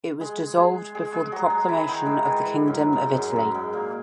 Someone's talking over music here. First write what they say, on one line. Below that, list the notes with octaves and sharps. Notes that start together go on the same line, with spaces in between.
It was dissolved before the proclamation of the Kingdom of Italy.
G#3 G#4
G#3 G#4
G#3 G#4
G#3 G#4
F#3 F#4
G#3 G#4
E3 E4
D#3 D#4
G#2 G#3
E3
E3
F#2 F#3
G#2 G#3
F#2 F#3
F#2 F#3
G#2 G#3
A#2 A#3